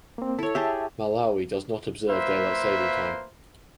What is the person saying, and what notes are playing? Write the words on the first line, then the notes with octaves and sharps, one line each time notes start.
Malawi does not observe daylight saving time.
A#3 C4
E4 A4 C#5
G4 G#4 E5 A5
A#3 F4 B4 C5 E5